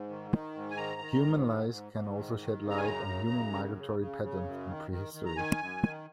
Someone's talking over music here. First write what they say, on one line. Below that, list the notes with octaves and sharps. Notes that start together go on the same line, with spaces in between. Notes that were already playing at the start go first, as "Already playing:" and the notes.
Human lice can also shed light on human migratory patterns in pre-history.
Already playing: G#2
D#3
D#3
G#2
G#5
D#3 A#5
D#3
G#2
G#2
G#2
G#2
D#3
D#3
C#3
A#5
G#5
F#2 A#5
C#3
F#2
C#3
C#3
C#3
C#3
F#2
D#3
D#3
D#3
A#5
D#3 G#5
F#2
D#3